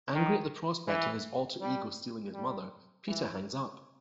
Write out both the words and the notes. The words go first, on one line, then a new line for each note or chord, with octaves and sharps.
Angry at the prospect of his alter ego stealing his mother, Peter hangs up.
D#3
E3
G3
G3
E3